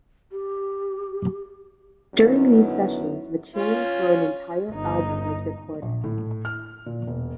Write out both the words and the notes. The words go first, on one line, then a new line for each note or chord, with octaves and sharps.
During these sessions, material for an entire album was recorded.
G4
F#2 D3 B3 D#4 E4
C#4 F4 C#5
G1 D#4
A#1
A2
F6
A#2
E1